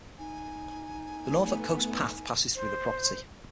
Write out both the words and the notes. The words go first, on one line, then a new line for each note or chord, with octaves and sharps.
The Norfolk Coast Path passes through the property.
D#4 G#5
A3 B3
C5